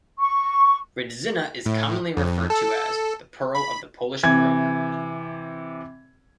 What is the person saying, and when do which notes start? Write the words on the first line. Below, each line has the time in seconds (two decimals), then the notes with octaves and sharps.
Rydzyna is commonly referred to as "the pearl of the Polish baroque".
0.19 C#6
1.66 A2
2.17 F2
2.50 A4
3.55 B5
4.23 C3 E3 G#6